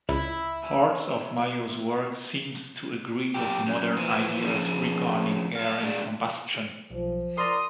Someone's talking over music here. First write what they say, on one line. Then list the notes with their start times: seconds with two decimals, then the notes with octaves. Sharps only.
Parts of Mayow's work seems to agree with modern ideas regarding air and combustion.
0.09 C#2 E4
3.34 B1 G4
3.66 F#2
3.97 E3 F3
4.42 F2 C#3
5.56 F#3 F5
5.82 G#3 D4
6.91 B1 F3
7.38 A#4 D5 A#5 C6 D#6